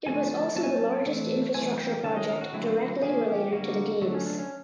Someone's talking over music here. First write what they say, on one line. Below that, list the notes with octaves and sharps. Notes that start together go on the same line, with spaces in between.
It was also the largest infrastructure project directly related to the Games.
D3 F3 A3 G#5
A5
F#3 A#3 C#4 A5
G#5
A5
E3 A3 C4
E3 A3 C4 G#5
G5
D#3 G#3 C#4 A5
D#5
A#4
F#4
D3 F#3 A3 C4 E4
F4
F#4
D3 F3 A#3 C#4 G#4
G4
D3 G3 A#3 F#4
D3 F#3 A3
C#4
D4
C#4